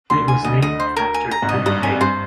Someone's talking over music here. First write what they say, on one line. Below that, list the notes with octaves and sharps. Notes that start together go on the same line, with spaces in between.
It was named after F. A.
D2 D3 C6
G#5
D2 D3 D#5
D2 D3 D#5
C5
A#4
G#5
A#5
G#1 G#2
D#5
G2
G2 D#6
F2 G#5
F2
G2 C5